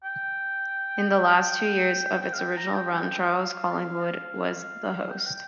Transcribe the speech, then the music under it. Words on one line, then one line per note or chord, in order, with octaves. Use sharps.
In the last two years of its original run, Charles Collingwood was the host.
G5
G5
F5
G5
A#5
G5
G5
F5
G5
F5
G5